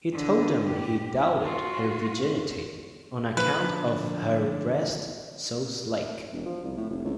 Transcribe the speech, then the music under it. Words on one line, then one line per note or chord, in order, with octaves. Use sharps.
He told them he doubted her virginity, on account of "her brests so slacke".
D3
G4
F4 F#4
D3 F3 B4
E1
F3
C2
A2
F1
C#2